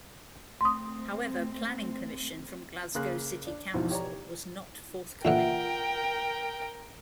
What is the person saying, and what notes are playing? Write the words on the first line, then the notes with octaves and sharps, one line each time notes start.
However, planning permission from Glasgow City Council was not forthcoming.
A3 C4 C6 D#6
C#3 A#3 G#4 F5 C6 F#6
D4
E2 G#2 B2 E3 F3
G4 C#5 D5 A#5
A#2 D3 E3 F4 A#4 E5 F#5 G5